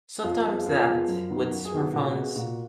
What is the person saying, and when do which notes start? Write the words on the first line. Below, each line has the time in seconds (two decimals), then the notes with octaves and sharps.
sometimes that with smartphones
0.24 F2 F4
0.45 F3 G#3 B3 F4
0.66 F2 F4
0.88 F3 G#3 B3
1.08 F#2
1.30 D#3 F#3 B3
1.51 F#2 F#4
1.65 G#4
1.73 D#3 F#3 B3
1.80 F#4
1.93 A#2 F#4
2.15 G#3 B3
2.36 A#2 F#4